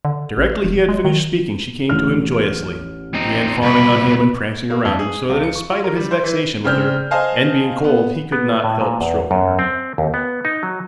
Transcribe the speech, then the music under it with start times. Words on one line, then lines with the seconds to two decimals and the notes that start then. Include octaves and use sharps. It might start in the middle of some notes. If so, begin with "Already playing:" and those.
Directly he had finished speaking she came to him joyously, began fawning on him and prancing round him so that in spite of his vexation with her, and being cold, he could not help stroking her.
0.05 D3
0.37 A1
0.64 E1
0.89 G#3
1.05 D#3
1.90 A1 F6
3.14 C4 D#4
3.62 C2 D3 B4
4.70 A#3
4.85 F2
4.99 G#4
5.29 C#2
5.44 C#7
5.55 C#6
5.71 F4
5.84 A#4
5.96 G3
6.11 C5
6.24 E3
6.64 C#3 C4 D4 F6 G6
7.11 C5 D#5 F5 G#5 A5
7.84 B3
8.32 B3
8.64 A2
8.81 A#2
9.01 E2
9.31 F#2
9.59 C4
9.98 D#2
10.14 B3
10.45 D#4
10.63 F#3